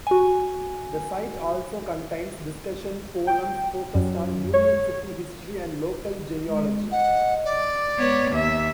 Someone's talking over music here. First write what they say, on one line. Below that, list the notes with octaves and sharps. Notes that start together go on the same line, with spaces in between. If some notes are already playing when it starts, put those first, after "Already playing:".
The site also contains discussion forums focused on Union City history and local genealogy.
F#4 G#5
G5
F#2
C#5
G#3
D#5 F#5
D5
G#3 B3 C#5
D#2 B3 E5